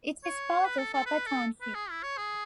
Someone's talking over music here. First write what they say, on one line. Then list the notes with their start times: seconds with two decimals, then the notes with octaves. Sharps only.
It is part of Upper Township.
0.24 C#5
0.64 B4
0.78 A4
0.93 A4
1.06 B4
1.27 A4
1.61 B4
1.75 G#4
1.90 E4
2.03 C#5
2.17 G#4